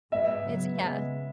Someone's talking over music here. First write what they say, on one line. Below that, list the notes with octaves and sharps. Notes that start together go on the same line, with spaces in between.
It's yeah.
G#2 G#3 B3 E5
C#3 F#3 B3
C#3 G#3 B3